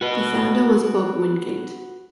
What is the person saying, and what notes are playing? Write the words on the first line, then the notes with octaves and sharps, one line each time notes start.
The founder was Bob Wingate.
F#4 B4